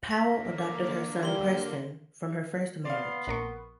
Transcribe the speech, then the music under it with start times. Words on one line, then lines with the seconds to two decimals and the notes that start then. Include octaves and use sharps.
Powell adopted her son Preston, from her first marriage.
0.11 D3 A#3 A#6 B6
0.58 D6
1.23 G3 C6 G7
2.85 B3 D5 F5 C6
3.27 A#1 A#4 B4 C#6